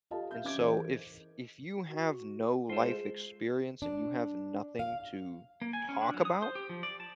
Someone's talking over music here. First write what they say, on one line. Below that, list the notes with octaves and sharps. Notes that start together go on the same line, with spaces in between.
and so, if if you have no life experience and you have nothing to talk about,
F4 G4 A4 D#5 F5 A5
A#4 E5 F5 G6
C#4 E5 D6 G#6 D7
E3 E4 G#4 A#4 C5 D#5
A#4
F#4
G#3 F4 A4 C5
D4
F5
A#3
G#5
C#4
D4
F#3
D#6
C5
G4
F3
D5
A5